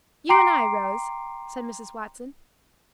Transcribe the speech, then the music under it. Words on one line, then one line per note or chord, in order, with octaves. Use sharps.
"You and I, Rose," said Mrs. Watson.
G5 A#5 C6 D6 C7 D7